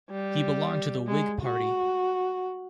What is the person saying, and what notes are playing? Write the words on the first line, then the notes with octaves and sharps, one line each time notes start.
He belonged to the Whig party.
G3
G#3
F#4